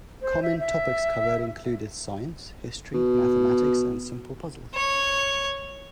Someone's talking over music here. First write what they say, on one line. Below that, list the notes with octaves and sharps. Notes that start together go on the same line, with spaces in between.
Common topics covered included science, history, mathematics, and simple puzzles.
C5
E5
E5
B2
C#5